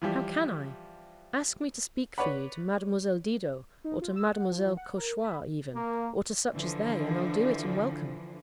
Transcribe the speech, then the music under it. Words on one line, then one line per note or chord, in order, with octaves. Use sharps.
How can I? Ask me to speak for you to Mademoiselle Didot, or to Mademoiselle Cauchois even, or to such as they, and I'll do it, and welcome.
E3 F3 G3
B4 C#5 D5 F#5 B5
D#4
F4
E6
F#5
F3
F3
F#5
A#4
B5
A#3
D3 E3 F3